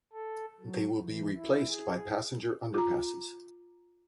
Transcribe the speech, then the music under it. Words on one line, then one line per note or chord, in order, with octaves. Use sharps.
They will be replaced by passenger underpasses.
A4
F#3
E3
E4
G#4
F4 A#5